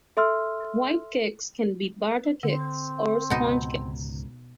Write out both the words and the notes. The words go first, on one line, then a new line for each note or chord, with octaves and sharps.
White cakes can be butter cakes or sponge cakes.
A4 E5 C6 E6 F6
D3 C4
C#2 G#2 B2 D#4